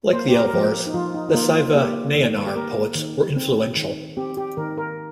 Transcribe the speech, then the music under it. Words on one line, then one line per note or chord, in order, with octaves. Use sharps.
Like the Alvars the Saiva Nayanar poets were influential.
A#3 C5
G4
A#4
A#4
F3 G4
D#4
F3 F4
D#4
D#4
A#3 F4
F4
A#3 G4
D#3
G4
A#3 A#4
D#3
C4
D#3
C4 G4
G4
D#3 A#4
A#4